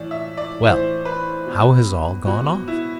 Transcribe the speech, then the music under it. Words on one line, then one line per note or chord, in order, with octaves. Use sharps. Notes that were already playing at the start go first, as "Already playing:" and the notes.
"Well, how has all gone off?"
Already playing: A2 E3 D5
E5
D5
A2 E3 C5
B4
B2
B2 F#4
E4